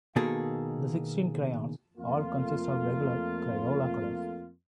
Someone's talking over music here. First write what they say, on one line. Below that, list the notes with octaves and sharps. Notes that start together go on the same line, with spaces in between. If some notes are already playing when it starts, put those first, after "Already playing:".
The sixteen crayons all consisted of regular Crayola colors.
B2 D#3 A#3 G#4 A4
F2 A3 A#3 F4